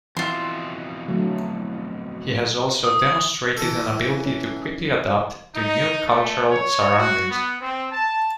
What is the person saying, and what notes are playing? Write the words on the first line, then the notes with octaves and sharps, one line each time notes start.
He has also demonstrated an ability to quickly adapt to new cultural surroundings.
F2 B2 E3 F4 E5 C6
D3 F#3 A3
D#6
E3 A4
C#4
D#4
A3
C#5
F#4
B3
C4
A5